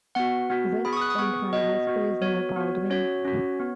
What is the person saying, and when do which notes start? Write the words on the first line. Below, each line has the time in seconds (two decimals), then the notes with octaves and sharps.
West Saint Mary High School is near Baldwin.
0.15 B3 F#4 F#5
0.50 B3 F#4
0.85 B3 G#4 B5
0.93 C#6
0.97 D#6
1.01 F#6
1.10 D#6
1.18 B3 G#4 C#6
1.53 B3 F#4 D#5
1.87 B3 F#4
2.22 B3 F#4 C#5
2.56 B3 F#4
2.90 C#4 F#4 C#5
3.25 C#4 F#4
3.60 B3